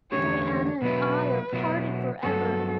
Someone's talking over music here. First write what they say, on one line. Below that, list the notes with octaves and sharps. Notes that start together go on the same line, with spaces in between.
Diana and I are parted forever.
E2 D3 A3 C#4 G4 C#5
B2 F#3 B3 E4 B4
B2 F#3 B3 E4
G2 F#3 B3 F#4 A4